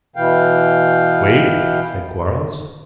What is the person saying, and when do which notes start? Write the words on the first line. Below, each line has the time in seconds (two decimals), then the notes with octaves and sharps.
"Wait," said Quarles.
0.16 B2 E3 F5 G5